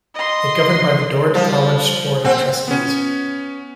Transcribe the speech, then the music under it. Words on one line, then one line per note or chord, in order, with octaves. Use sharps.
It governed by the Dordt College Board of Trustees.
D#5 C6
F3 G3
A#2 C4 F#5 C6
B3 C#4